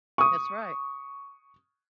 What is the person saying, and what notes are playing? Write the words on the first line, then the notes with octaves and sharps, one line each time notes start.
That's right.
C#6 D#6